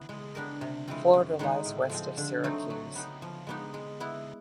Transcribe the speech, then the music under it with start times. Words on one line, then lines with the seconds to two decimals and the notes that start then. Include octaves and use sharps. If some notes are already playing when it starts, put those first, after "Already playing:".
Floridia lies west of Syracuse.
Already playing: E3 B3
0.09 G#3
0.35 B3 D4 G4 A#4
0.61 C3
0.88 E3 G#3 C4 F4
1.13 F#2
1.39 D#3 G#3 B3 D#4
1.65 A2
1.90 F3 G#3 C4
2.17 D3
2.44 F#3 A3 C4 D#4
2.70 F#3
2.95 B3 D#4 G4
3.22 F3
3.47 G#3 B3 D#4 G4
3.74 G#3
4.00 B3 E4